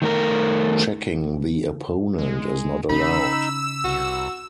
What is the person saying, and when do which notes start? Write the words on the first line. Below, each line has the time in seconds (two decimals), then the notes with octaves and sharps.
Checking the opponent is not allowed.
0.02 D#3 A3 A#4
2.18 G#3
2.89 C#3 D#4 B5 E6
3.84 C2 F#4